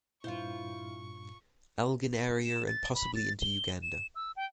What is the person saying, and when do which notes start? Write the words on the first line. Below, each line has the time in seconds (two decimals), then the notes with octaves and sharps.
Elgon area and possibly into Uganda.
0.24 G2 A#2 E4 F4 C5 F5 C#6
2.45 E7
2.67 A6
2.95 B5
3.16 A6
3.41 G7
3.83 E7
4.15 E6
4.36 G5